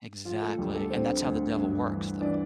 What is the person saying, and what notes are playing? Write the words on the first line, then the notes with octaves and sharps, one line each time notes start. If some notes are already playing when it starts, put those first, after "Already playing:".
Exactly, and that's how the devil works though.
F3 F4
A3 A4
D2 G3 G4
A3 A4
D3 C4 C5
D2
G2
E3
E3 D4 D5